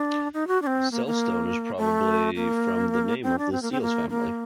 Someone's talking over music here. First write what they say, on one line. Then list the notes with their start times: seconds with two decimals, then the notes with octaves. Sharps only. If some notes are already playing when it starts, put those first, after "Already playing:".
Zelstone is probably from the name of the Zeals family.
Already playing: D4
0.34 D#4
0.47 F#4
0.62 D4
0.67 C4
0.92 A#3
1.06 A#3
1.78 A3
2.36 A#3
3.23 C4
3.38 D4
3.52 C4
3.62 A#3
3.72 C4
3.81 A#3
4.10 A#3